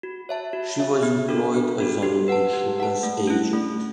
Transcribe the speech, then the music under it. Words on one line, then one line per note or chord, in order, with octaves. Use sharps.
She was employed as an insurance agent.
F#4
C#5 E5 A5
F#4
C#5 E5 A5
B3
D4 F#4 A4
B3
D4 F#4 A4
G4
B4 F#5 A5
G4
B4 F#5 A5
A3
C#4 E4
A3